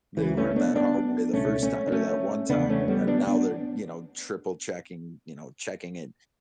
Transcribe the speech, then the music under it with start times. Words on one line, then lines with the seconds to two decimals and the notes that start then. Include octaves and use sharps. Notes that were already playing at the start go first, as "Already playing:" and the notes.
they learned that hard way the first ti or that one time and then now they're, you know, triple checking, you know, checking it
0.17 C#2 C#3 E3
0.37 A3 C#4
0.56 B3 D4
0.75 B3 D4
1.33 C#2 B2 A3 C#4
1.62 A3 C#4
1.87 D4
1.92 A3 C#4
2.49 E2 C#3 B3 D4
2.69 A3 C#4
2.88 G3 B3
3.07 B3 D4
3.21 C#4
3.27 B3 D4